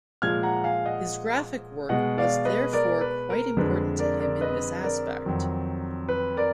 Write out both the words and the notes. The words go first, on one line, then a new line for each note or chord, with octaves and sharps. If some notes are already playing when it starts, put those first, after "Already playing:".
His graphic work, was therefore quite important to him in this aspect.
A#2 F3 G#3 F6 G#6
F#5 A#5
F5 G#5
D#5 F#5
B2 G#3 D#5 F#5
D5 F5
B4 D#5
A#4 D5
B4
A#4
F2 D3 G#3 B4
A#4 D5
A#4 D5
B4 D#5
A#4 D5
F2 D#3 F#3
B4
A#4 D5